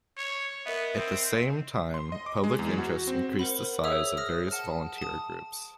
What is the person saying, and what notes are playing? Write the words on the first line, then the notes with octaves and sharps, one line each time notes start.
At the same time public interest increased the size of various volunteer groups.
C#5
B3 A#4 D#5 E5
C4
C6
D#5
D6
G#3
E2
F#4
C4
A#4 C5 F#5 B5
G#4 C#5 E5 D#6 E6
D#6 F6 A#6
F#5 A5 F6
A5 D#6